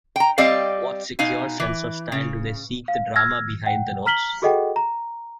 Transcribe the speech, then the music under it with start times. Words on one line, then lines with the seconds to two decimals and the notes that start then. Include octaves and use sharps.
With what secure sense of style do they seek the drama behind the notes.
0.16 G5 A#5
0.38 G3 C4 D5 D#5 F5
1.19 B2 D#4 F5 G#5
1.60 E3
2.12 C#3
2.88 F5
3.16 E6 F6 G#6 A#6
3.66 F#5 G5
4.06 A#5 F6 B6 F#7 G7
4.42 F#4 G#4 A4 D#5 F#5 G5
4.76 A#5